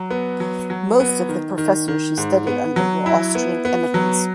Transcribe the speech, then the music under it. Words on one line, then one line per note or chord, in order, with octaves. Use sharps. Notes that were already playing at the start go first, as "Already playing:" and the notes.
Most of the professors she studied under were Austrian emigrants.
Already playing: F#3
B3
F#3
F#3
B3
D#3
D#3
D#3
G#2
B3
F#3
E4
B3
B3
F#3